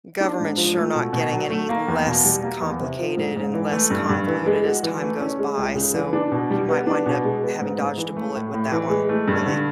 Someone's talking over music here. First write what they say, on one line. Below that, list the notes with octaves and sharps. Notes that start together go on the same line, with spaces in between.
government's sure not getting any less complicated and less convoluted as time goes by, so, you might wind up having dodged a bullet with that one really.
D4
G#2
F3
A3
B2
B2
F#3
A3
A#3
E2
B2
G3
A#3
E2
C3
F3
G#2
G#2
E3
A3
G2
G2
E3
G#3
F#4
E3
A3
C#4
G#3
C#2
C#3
E3
D4
B2
G3
B3
D4
B2
G#3
B3
G#2
G#2
E3
A3
A2
A2
E3
G#3
A3
G2
D3